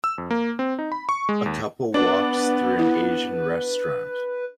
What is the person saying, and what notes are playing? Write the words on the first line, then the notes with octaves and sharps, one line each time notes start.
A couple walks through an Asian restaurant.
E6
F2
A#3
C4
D#4
B5
C#6
G#3
D#2
B3 D4 B4
E4